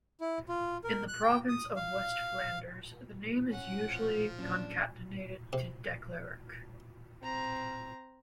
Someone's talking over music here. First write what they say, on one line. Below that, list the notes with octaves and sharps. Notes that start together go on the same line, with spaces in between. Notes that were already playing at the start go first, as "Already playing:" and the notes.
In the province of West Flanders the name is usually concatenated to Declerck.
E4
F4
A#4
F#6
G5
D#6
F5
C#4 F#5
F3
A#2 F#3 C#4 D4
C3
C4 A#5